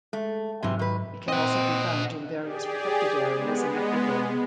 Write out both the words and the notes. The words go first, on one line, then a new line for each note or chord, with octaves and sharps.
It can also be found in various protected areas in Ecuador.
G#3 A3
G#2 C3 E3 F#3 E5
D#3 B4
C4 D#5 F#5
G4 G#4 D5
G#3 B3